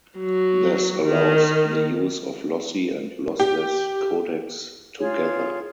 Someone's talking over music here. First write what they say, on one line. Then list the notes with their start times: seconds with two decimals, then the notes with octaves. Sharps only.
This allows the use of lossy and lossless codecs together.
0.20 F#3
1.04 D#3
3.40 G4
5.00 F4 G#4 C#5